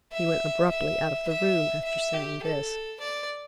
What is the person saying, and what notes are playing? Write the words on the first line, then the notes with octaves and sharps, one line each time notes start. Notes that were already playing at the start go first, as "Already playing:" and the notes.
He went abruptly out of the room after saying this.
E5
E5
E5
E5
G4
A4
D5